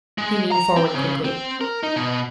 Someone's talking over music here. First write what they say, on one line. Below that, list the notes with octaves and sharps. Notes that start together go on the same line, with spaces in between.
He leaned forward quickly.
G#3
A#5
C4
C#3
C4
A#4
D#4
B2